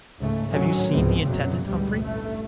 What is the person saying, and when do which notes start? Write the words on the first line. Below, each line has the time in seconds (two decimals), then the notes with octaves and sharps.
"Have you seen the intendant, Humphrey?"
0.19 C#2 G#2 C#3 A3
0.49 D2 A2 D#3 F#3 C#4
0.90 C#2 G#2 C3 G#3 B3 C4
1.24 B1 F#2 A#2 C#3 F#3
1.67 A1 D2 G#2 B2 G3
1.99 A1 G2 A3